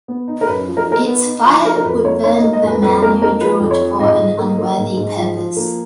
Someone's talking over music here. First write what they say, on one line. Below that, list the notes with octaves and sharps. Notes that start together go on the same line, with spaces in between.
Its fire would burn the man who drew it for an unworthy purpose.
B3
D#4
A#4
F#2 B4
F3
A#4
D#4
A#4
B3 B4
D#4
F3
F3 A#4
A#4
F2 B4
A#3 C#5
D#4 C#5
D#5
A#3
D#5
F2 B4
F2 B4
A#3 A#4
D#4 A#4
F3 B4
F2
C#5
F3
G#2 D#5
G#2
A#3
A#3
G#2
G#2
F3
F3
A#3